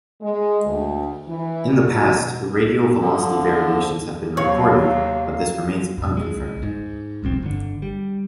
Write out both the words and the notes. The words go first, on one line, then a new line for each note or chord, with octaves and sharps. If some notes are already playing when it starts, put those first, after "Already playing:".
In the past, radial velocity variations have been reported, but this remains unconfirmed.
G#3
D2
E3
F#4
B2
D3 F3
D#2 C3 F#3 C#5 F5
F2 B2
G#3
G#2
E1 C2 F2 C4
G1 D3
G3